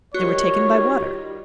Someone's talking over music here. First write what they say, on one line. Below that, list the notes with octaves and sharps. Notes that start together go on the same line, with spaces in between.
They were taken by water.
D#3 G3 F4 F#4 C#5